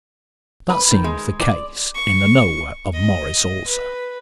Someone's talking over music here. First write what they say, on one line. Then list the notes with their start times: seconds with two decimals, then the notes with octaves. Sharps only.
That seems the case in the "Nowhere" of Morris also.
0.70 B4
0.91 D#3
1.04 G#3
1.40 D5
1.95 C#6
2.94 D#5
3.68 B4